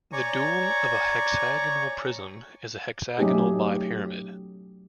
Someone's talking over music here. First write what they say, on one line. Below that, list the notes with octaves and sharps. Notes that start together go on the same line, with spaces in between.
The dual of a hexagonal prism is a hexagonal bipyramid.
C#5 D5 G#5 A#5 C#6
F#3 A3 C#4 D#4 G4 G#4